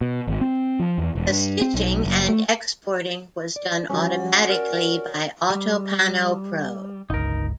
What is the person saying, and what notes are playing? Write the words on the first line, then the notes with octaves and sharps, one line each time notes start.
The stitching and exporting was done automatically by Autopano Pro.
B2
G#1
C4
F3
E2
E1
G2
C4
B1
F#1
A3
D5
F3 G3 C#4 F#4
A#4 D5
G3
G1 C#2 D#4 A#4